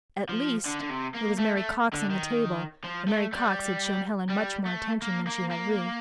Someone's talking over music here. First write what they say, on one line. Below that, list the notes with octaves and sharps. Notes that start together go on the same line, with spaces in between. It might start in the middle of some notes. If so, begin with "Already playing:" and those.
At least, it was Mary Cox on the table, and Mary Cox had shown Helen much more attention than she had Ruth.
F3
D3
D3
C3
A#3
A3
A3
D3
D#3
F3
A3
G3
G3
A3
A#3
A#3
A#3